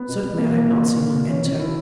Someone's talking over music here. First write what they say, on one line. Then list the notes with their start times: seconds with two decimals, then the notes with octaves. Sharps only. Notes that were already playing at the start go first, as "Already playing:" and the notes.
Certainly, I had not seen him enter.
Already playing: B3
0.09 B2
0.23 B2
0.38 A#2 A#3
0.53 A#2
0.68 B2
0.84 B2
0.99 B2
1.14 B2
1.29 B2 C#4
1.44 B2 C#4
1.59 B2 E4